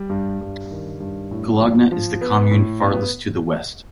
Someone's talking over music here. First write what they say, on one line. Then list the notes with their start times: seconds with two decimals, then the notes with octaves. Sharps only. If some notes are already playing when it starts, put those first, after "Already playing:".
Collagna is the commune farthest to the West.
Already playing: G3
0.10 G2
0.41 G2
0.71 D#3
1.00 G2
1.31 A2
1.61 F3
1.92 F3
2.21 B3
2.51 A2
2.82 B3